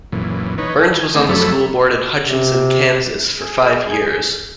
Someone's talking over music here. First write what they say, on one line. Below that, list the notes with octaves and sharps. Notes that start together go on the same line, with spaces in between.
Burns was on the school board in Hutchinson, Kansas, for five years.
F#2 A#2 E3
D#4 B4 C#5
E3
G#5
D#3 A3 C4 G#4 D5 D#5
F#2 F3 F#3 A3 A4 B5
C3
G#4